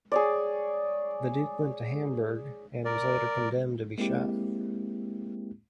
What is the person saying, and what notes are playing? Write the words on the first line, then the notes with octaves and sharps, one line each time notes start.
The duke went to Hamburg, and was later condemned to be shot.
G#4 C#5 D5
A#4 D5
G#3 A#3 C4 E4 G4